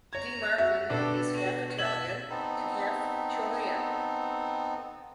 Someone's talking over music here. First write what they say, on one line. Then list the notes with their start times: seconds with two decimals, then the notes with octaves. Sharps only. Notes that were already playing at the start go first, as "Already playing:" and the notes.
De Martin is half Italian and half Chilean.
0.13 C#5 A#5 G#6
0.58 F#4 E5
0.90 B2 D4 G4 A4
1.33 F#4
1.78 E5 A5 G#6 F#7
2.30 B3 C4 D#4 A4